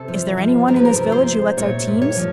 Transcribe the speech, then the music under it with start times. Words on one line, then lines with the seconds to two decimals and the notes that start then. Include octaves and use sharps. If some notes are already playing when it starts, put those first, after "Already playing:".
"Is there any one in this village who lets out teams?"
Already playing: C3 A4
0.08 F3
0.37 F3
0.68 F3 A#4
0.76 B4
0.85 A#4
0.97 C3
1.12 C5
1.28 C3
1.57 A#2 C#5
1.87 A#2
2.02 C#5
2.16 F3